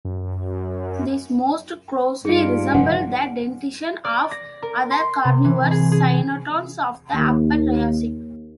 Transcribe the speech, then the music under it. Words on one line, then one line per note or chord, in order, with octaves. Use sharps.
These most closely resemble the dentition of other carnivorous cynodonts of the Upper Triassic.
F#2
G2 D#4 F4 G#4 C#7 D7
F1 D3 F3 F#5 G#5
D5
A#6
A#4
C6
C3
E3
G#4
G#4
D#2